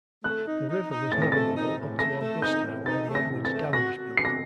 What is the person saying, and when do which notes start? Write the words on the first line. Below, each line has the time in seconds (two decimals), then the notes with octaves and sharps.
The river was navigable up to Augusta where the Edwards Dam was built.
0.24 A3 F#6
0.46 D#4
0.69 D#4
0.90 D#4
1.12 A2 A6
1.22 A#6
1.32 A3 A6
1.56 D#4
1.78 A2
1.99 A3 A#6
2.21 A3
2.42 D#4 G6
2.64 A2
2.86 D#4 A6
3.09 A3
3.15 A#6
3.30 A2
3.45 A6
3.52 A3
3.73 F#4 A#6
3.95 F#4
4.17 D4 C7
4.25 A#6